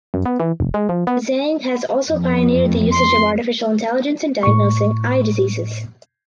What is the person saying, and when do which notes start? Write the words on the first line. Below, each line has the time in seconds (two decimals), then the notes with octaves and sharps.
Zhang has also pioneered the usage of artificial intelligence in diagnosing eye diseases.
0.14 F#2
0.26 B3
0.40 E3
0.60 F1
0.74 G#3
0.89 F3
1.07 B3
2.10 F2
2.92 C6
4.43 A2 C#6